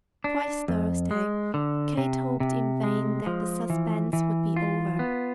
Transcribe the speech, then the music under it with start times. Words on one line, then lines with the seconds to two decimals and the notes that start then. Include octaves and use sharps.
Twice Thursday, Kate hoped in vain that the suspense would be over.
0.24 D4
0.68 F2
1.11 G#3
1.54 D3
1.97 C3
2.40 C3
2.83 G#3
3.27 F3
3.70 E3
4.13 E3
4.56 F4
4.99 B3